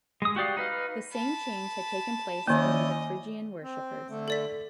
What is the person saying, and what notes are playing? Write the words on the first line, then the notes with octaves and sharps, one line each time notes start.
The same change had taken place among the Phrygian worshipers.
G#3 D#6
F#4 G4 D5 F5
D#4 B4 F5
A5 B5
D#3 A#3 C#4 E4 D5 D#5
C4
D3 A3
A4 D5 B6